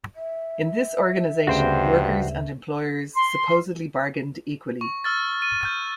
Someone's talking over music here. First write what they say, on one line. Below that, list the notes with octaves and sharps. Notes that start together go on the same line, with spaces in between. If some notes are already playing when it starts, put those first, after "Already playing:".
In this organisation, workers and employers supposedly bargained equally.
E5
D2 G2 C#3 F#4 C5 G5
C6
C#6
E6 F6 A6
D#7
F6 G6